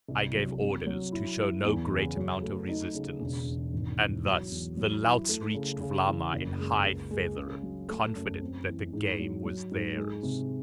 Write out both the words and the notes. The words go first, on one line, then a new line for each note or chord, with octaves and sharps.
I gave orders to show no great amount of resistance; and thus, the louts reached Vlama in high feather, confident that the game was theirs.
C2
F#3
C3
F#3
E4
E4
E2
C#3
F#3
A3
D#4
C#3
E1
E2
G#1
E3
F#3
E2
F#3
E4
A3
C#3
C#3
E3
F#1
G#3
C#2
G#3
C#3
F#3
A3
F#2
C4
E3
G#2
F#3
F#3
G#2
G#3
C3